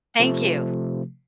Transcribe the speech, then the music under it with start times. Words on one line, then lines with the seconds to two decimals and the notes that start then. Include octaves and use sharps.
thank you.
0.20 C3 F3 A3